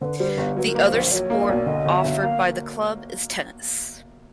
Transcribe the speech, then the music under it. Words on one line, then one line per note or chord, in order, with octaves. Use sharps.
The other sport offered by the club is tennis.
D3 B4 C5
G3 C5
B4
G1
F#3 B4
A#4
A#3 B4
C5
A#1
F#3 C#5 D5
A#3
D#5
D5
B1
D3 D#5
G1
E5
G1
A#3 F5